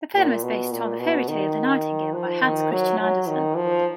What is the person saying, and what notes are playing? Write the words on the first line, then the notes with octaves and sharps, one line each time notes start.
The film is based on the fairy tale "The Nightingale" by Hans Christian Andersen.
A#2
B2
A#2
B2
D#3
F3
D#3
F#3
F#3
D#3
F3